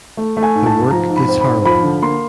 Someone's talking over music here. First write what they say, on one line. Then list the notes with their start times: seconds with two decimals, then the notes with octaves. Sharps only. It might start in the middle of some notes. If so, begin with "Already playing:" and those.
The work is harrowing.
0.17 A3
0.37 A3
0.43 G#5
0.55 G#2
0.66 A5
0.74 G#2
0.91 F3 A#5
1.10 G#2
1.17 B5
1.29 C4
1.41 B5
1.46 G#2
1.66 F3 B5
1.84 D3
2.02 A#3 C6